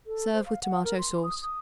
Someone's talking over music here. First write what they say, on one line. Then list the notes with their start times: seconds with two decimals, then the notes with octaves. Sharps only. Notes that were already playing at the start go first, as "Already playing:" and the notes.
Serve with tomato-sauce.
0.07 A4
0.34 C5
0.46 F5
0.63 F#5
0.84 A#4
0.98 C6
1.23 D#6
1.42 D#6